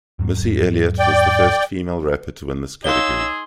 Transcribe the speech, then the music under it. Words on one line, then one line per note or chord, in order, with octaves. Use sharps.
Missy Elliott was the first female rapper to win this category.
E2 G#2 F#3
D5 G5
D#4 G#4 C#5 F5 C6 E6 G7